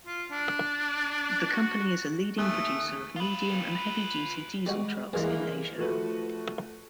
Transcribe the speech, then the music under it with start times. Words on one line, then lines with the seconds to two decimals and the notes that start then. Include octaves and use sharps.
The company is a leading producer of medium and heavy-duty diesel trucks in Asia.
0.07 F4
0.31 D4
1.52 F#4
2.38 D#2 A3 G#5 D#6 F#6
3.16 F4 B4
4.66 G3 G#3 F#4
5.13 G2 E3 A#3 F4 G#4 D#5
5.78 F3 A3 F#4 B4